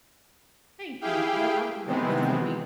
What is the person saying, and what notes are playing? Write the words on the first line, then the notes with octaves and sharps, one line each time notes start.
Thank you, yep, I would do that once a week.
E4 G4 G#4 F5 G5
C3 D#3 E3 G#3 B3 C4